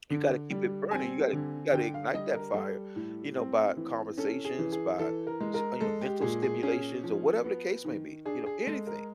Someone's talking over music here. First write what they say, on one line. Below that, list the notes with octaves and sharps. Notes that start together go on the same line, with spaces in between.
You gotta keep it burning. You gotta you gotta ignite that fire, you know, by conversations, by sh you know, mental stimulations or whatever the case may be, you know, anything.
D3
G3
C4 G#5
D3
D3 G5
F5
G3 D#5
A#4
G3 A4
A2
C4
E3
C#4 A4
G#4
E3
G#4
E3 A4
A#4
G#3
A#4
G#3 A4
G4
A#2 G#4
G#4
C#4 G#4
F3
B3
D#3
D4 G#4
G#4
G#3 A4
A#4